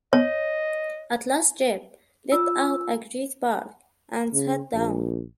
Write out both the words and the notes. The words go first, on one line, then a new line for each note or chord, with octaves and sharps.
At last Jip let out a great bark and sat down.
C#5 D#5
F4 E6
C#3
A#1